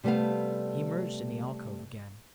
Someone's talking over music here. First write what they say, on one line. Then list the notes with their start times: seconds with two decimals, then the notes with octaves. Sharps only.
He emerged in the alcove again.
0.04 C3 G3 A3 B3 F5